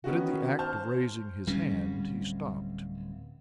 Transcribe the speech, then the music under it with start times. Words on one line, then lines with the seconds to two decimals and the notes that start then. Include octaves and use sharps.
But in the act of raising his hand he stopped.
0.04 D#3 B3 C#4 F#4
0.59 C5 A5 F6 G6
1.47 D1 G3 C4 C#4